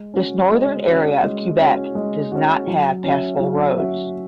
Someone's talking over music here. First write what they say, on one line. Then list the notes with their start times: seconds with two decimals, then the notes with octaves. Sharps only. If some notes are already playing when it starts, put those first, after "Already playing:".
This northern area of Quebec does not have passable roads.
Already playing: G#3
0.14 C#4 F#4
0.50 G#3
0.87 C#4 F#4
1.23 G#3
1.59 C#4 F#4
1.95 G#3
2.32 C#4 F#4
2.67 F#3
3.04 C#4 F#4 E5
3.40 F#3
3.76 C#4 F#4 E5